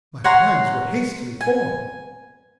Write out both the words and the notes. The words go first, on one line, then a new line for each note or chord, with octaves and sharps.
My plans were hastily formed.
C#5 F#5 A#5 C6
G#5